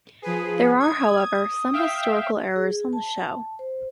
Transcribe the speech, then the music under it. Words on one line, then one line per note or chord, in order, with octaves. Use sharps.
There are, however, some historical errors on the show.
F3 G#4 B4
D#6 G#6
E5 F5 G5
G#4
A5
C5